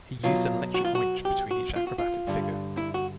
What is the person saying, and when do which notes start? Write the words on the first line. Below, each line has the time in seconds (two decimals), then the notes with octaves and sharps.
He used an electric winch between each acrobatic figure.
0.23 B2 F#3 F4
0.74 F#4
0.85 F4
0.95 F#4
1.25 G4
1.51 F#4
1.76 F4
1.87 F#4
1.98 F4
2.27 G2 D3 G3
2.77 E4
2.94 F#4